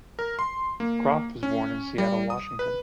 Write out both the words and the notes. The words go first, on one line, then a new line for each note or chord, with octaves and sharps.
Croft was born in Seattle, Washington.
A#4
C6
A#3
C#4
G3
D#6
B4